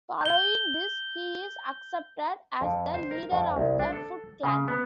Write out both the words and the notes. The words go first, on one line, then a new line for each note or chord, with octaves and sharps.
Following this, he is accepted as the leader of the Foot Clan.
G6 G7
F2
C5
A#4
F2
C2
D4
A4
C#3
B3